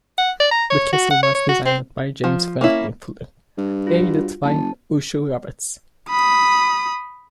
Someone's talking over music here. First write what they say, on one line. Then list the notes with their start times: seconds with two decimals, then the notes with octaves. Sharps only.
The castle was designed by James Franklin Fuller, aided by Ussher Roberts.
0.18 F#5
0.40 D5
0.51 A#5
0.70 C#5
0.92 F#4
1.11 F#5
1.23 C#5
1.35 C#5
1.49 F#4
1.65 C4
2.24 F3
2.61 A#3 C#4 E4
3.58 G2
3.87 F4 F#4
4.44 F#1 A5
6.10 B5 D#6